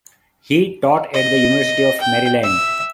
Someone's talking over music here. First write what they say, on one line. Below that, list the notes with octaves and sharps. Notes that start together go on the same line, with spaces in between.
He taught at the University of Maryland.
D#5
G5
E5